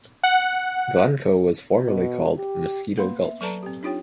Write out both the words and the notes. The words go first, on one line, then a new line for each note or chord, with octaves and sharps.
Glencoe was formerly called Mosquito Gulch.
F#5
B2
G4
A#3 B3 B4 F5 B5 C6
E5
F#3 A4 B4 D5 A5 A#5
C4 G4
D4 D#4 F4 G4 C#5 G5